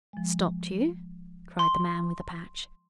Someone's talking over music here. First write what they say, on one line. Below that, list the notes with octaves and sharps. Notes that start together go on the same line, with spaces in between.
"Stopped you?" cried the man with the patch.
F3 G#3
C6